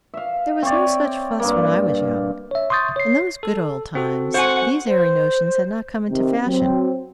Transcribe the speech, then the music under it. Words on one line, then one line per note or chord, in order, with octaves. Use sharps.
There was no such fuss when I was young; in those good old times these airy notions had not come into fashion.
E5 F5
C4 C#5 D5
G2 A#3
C#5 E5
C6 C#6 D#6 G6 A6
C#5 C7
A4
C4 F#4 A4
C5 F#5 G#5 C#6
C5
C3 D#3
F#3 C4